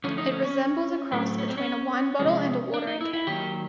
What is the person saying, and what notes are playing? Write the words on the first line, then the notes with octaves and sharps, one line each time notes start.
It resembles a cross between a wine bottle and a watering can.
D3 F3 A3 C#4
D#4
C#4
C#4
A2 F#3 A3 C4
C#4
C4
C#4
C3 F3 G#3
D4
D#4
E4
E4
D#3 F#3 A#3 G4